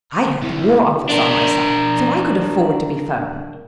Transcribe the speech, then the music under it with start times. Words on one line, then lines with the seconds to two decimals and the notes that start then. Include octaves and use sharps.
I had the War Office on my side, so I could afford to be firm.
0.42 C2 C3 E4
1.09 D4 A#4